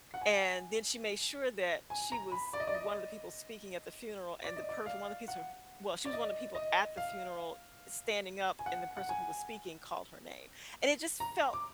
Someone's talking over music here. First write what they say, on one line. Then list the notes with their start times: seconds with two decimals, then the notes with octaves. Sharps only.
and then she made sure that she was one of the people speaking at the funeral and the perf one of piece of well, she was one of people at the funeral standing up and the person who was speaking called her name. And it just felt,
0.14 F#5
0.21 G#5
1.90 G#5
2.12 A#5
2.32 B5
2.53 D5
2.60 D#5
2.67 D5
2.74 D#5
4.44 D5
4.56 D#5
4.69 D5
4.86 F5
5.28 F#5
6.05 D5
6.13 D#5
6.55 D#5
6.97 F5
8.59 G#5
8.66 F#5
8.97 F#5
9.09 G#5
11.20 A#5
11.53 D6